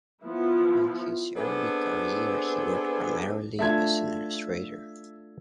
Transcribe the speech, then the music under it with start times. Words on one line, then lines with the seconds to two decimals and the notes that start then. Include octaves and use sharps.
In his early career, he worked primarily as an illustrator.
0.23 F3 B3 E4
1.36 B3 C4 D4 G#4 A4
3.59 A3 D4 F4 E5 A5 G#6